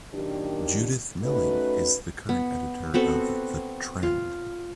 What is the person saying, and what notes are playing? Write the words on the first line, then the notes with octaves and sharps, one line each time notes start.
Judith Milling is the current editor of the "Trend".
F#2 A#2 D#3 D4 G4
A3 C#4 D#4 F#4 B4
B3
B3 C4 F#4 A4
F4